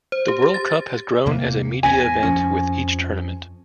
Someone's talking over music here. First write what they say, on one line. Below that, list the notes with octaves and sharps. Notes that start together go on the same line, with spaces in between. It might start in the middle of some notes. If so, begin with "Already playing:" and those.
The World Cup has grown as a media event with each tournament.
C5
G4
G4
A6
A6
E2 C3 A#3
D#1 E2 G#5 A#6 B6
F2 F3 C#4